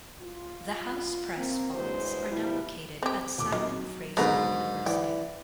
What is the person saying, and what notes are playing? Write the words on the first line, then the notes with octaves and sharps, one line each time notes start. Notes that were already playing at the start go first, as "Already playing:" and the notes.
The housepress fonds are now located at Simon Fraser University.
F4
A#3 C4
E2 G2 E3 F#3 G#3 C5
B2 F3 G3 E4
C4 G4
D#1 D6
D#3 F#3
G#2 D3 D#3 F#3 B3 A#4 B4
E3 B4 D5 G5